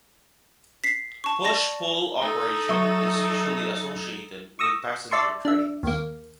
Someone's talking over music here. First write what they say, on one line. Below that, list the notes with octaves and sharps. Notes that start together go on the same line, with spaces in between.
Push-pull operation is usually associated with passenger trains.
B6 C7
A5 C#6
D5 A5 A#6
D#4 A4
F#3 E5 C6 C#6
C#6 D#6 E6 A#6
D5 E5 A5 C6 C#6
D4 E5
D#2 A#3